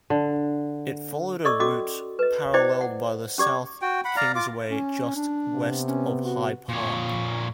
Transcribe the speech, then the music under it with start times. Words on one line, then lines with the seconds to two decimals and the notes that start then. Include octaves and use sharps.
It followed a route paralleled by the South Kingsway just west of High Park.
0.10 D3
1.45 A4 D5 D#5 C#6 D6 E6
1.60 C#4 F#4 A4 D#5 D6
2.19 B4 D#5
2.54 E4 C5 D5 D#5 G5 D6
2.81 F#5
3.38 C#4 G4 D5 D6
3.82 F#4 G5
4.05 F#5 B5
4.16 D5 F5 A#5
4.35 F4 D6
4.70 C#4
5.16 D4
5.53 C3 B3
5.88 C#4
6.23 F#4
6.69 A#2 C#5